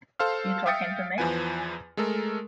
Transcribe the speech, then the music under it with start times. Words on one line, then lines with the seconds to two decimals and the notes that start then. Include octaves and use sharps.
You talking to me?
0.19 A4 C5 F5 F6
0.66 E5 F5 G5 D#6 A6 C#7
1.18 E2 E3 F3 B4 G#5
1.97 G#3 A3 A4 A#4